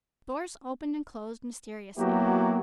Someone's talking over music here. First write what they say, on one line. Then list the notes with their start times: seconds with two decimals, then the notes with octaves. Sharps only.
Doors opened and closed mysteriously.
1.97 F#3 A#3 B3 E4 F#4 G4